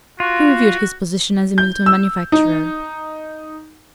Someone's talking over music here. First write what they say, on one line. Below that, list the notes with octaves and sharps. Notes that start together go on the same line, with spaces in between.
He reviewed his position as a Milton manufacturer.
F4 F#4
G6
E6
D#4